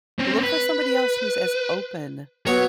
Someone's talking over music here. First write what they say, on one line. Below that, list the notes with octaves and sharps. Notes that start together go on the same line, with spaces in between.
look for somebody else who's as open
C4 C#4
B4
F#3 B3 C#5 A#5